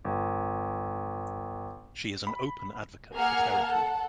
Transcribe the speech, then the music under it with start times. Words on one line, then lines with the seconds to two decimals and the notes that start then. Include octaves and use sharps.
She is an open advocate for therapy.
0.05 G1
2.27 B5
3.13 A#3 G#4 F#5 F6 G#6
3.61 A4 F#5